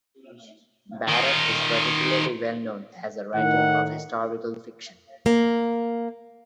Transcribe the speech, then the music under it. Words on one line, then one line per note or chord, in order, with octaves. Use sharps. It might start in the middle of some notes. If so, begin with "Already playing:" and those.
Barrett is particularly well known as a writer of historical fiction.
D#3 F4
A2 D#3 F#5
A#3